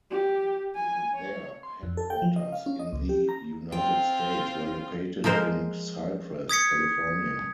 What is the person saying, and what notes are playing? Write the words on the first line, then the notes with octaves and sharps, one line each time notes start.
Their headquarters in the United States were located in Cypress, California.
G4
G#5
C#5
C6
F2
A4
G5
F3
D#5
F5
C#4
D#5
C#2
G4
A#5
C4 F4 G5
F3 G#3 A#4 C5
D#6 G#6 B6 C#7